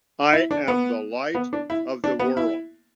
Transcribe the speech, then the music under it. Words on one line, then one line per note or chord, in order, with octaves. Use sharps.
I am the light of the world.
E4
D4
B3
B3
D4
E4
D4
B3
E4